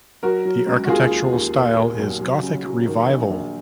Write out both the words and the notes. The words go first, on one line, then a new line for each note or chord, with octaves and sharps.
The architectural style is Gothic Revival.
F#3 F#4 A#4
F#3
C#2
F#4
D#2 F4 G#4
D#2
D#2
A#2
A#2
B1
F#3
C#3
F#3
D#3
A#1
A#1